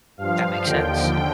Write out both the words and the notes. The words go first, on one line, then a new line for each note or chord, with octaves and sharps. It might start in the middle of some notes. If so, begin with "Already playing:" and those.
That makes sense.
G2 F3 F5
D#2 D3 F3 G5